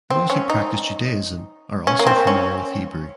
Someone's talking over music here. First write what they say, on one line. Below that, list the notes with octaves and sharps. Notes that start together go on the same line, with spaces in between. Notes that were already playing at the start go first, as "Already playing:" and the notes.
Those who practice Judaism are also familiar with Hebrew.
C4
C#4
D#4
C#4
A#3
C4
C#4